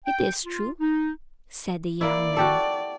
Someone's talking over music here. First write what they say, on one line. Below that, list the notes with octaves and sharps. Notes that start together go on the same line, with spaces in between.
"It is true," said the young man.
G5
F4
D#4
A#3 E4 D5
F#4 G4 A4